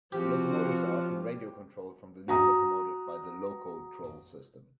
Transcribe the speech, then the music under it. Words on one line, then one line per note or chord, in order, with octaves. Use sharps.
The locomotives are often radio controlled from the lead locomotive by the Locotrol system.
F3 C4 F#4 G4
F#4 A#5 D#6